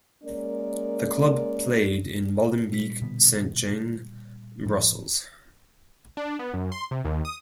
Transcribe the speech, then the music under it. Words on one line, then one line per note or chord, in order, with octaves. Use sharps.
The club played in Molenbeek-Saint-Jean, Brussels.
G#3 A#3 C#4 A#4 D5
A#2 G3 B6
B2 D3 B3
A2 F3
D4
B3
F#2
C6
C3
D#2
D#6